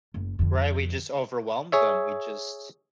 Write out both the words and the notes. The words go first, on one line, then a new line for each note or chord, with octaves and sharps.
Right, we just overwhelmed them, we just
F#1
F2 D3
G#4 C#5 E5